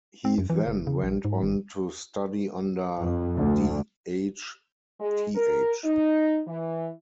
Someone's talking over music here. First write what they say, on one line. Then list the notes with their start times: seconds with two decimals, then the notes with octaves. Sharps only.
He then went on to study under D. H. Th.
0.25 C4
0.38 F#2
0.50 E3
0.67 F#1
0.87 C#3
1.03 A#1
1.25 G#2
1.42 G#1
3.02 F2
3.36 D2
5.00 G#3
5.35 A#4
5.85 D#4
6.47 E3